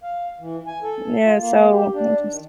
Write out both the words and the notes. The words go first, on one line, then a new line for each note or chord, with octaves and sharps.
Yeah, so, I'm just
F5
E3
G#5
A4
F4
A#3
G4
D4
D#3